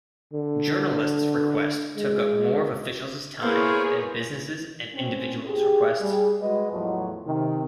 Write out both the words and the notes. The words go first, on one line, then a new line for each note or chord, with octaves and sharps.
Journalists' requests took up more of officials' time than businesses' and individuals' requests.
D3
G#3
A#3 B3 E4 G#4 C5 C#5 F5
C4 C#4
G4 G#4
G3 G#4
G#3 F#4 B4 D#5
E2 A2 F3 F#3
C3 D#3